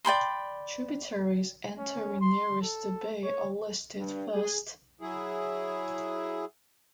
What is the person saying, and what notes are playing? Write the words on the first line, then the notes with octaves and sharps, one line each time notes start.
Tributaries entering nearest the bay are listed first.
D5 G5 B5 C6
C#4
C6
A4
C#5
G2
G#4
F#3 E4 G#4